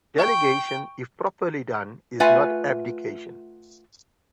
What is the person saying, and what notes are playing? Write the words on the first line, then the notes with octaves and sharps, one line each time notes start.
Delegation, if properly done, is not abdication.
G5 C#6
A3 F4 B4 E5 F#5 G#5